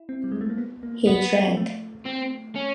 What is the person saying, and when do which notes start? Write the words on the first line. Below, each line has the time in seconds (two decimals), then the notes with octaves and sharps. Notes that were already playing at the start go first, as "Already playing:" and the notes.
He drank.
Already playing: E4
0.09 C4
0.24 G3
0.32 G#3
0.41 A3
0.50 A#3
0.58 B3
0.83 A#3
1.07 B3
1.57 A3
2.06 C4
2.56 C#4